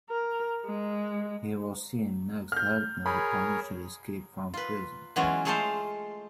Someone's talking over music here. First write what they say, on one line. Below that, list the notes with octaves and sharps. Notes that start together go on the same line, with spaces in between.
He was seen next helping the Punisher escape from prison.
A#4
G#3
F6 G6
G#4 A#4 C#5 B5
F4 B4
E3 F#3 G#3 B3 C#4 F4
G#3 A3 G#4 A4 C5 F5